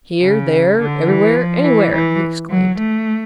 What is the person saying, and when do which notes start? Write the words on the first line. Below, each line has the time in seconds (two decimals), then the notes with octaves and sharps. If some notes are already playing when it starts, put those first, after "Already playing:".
"Here, there, everywhere, anywhere!" he exclaimed.
0.21 C#3
0.79 D3
1.07 E3
1.36 F3
1.64 E3
1.93 E3
2.50 F#3
2.78 A3